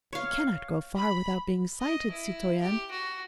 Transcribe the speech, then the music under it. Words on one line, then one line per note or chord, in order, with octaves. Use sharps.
"He cannot go far without being sighted, citoyen."
C#5 F5
B5
D#5
E4
G4
F#4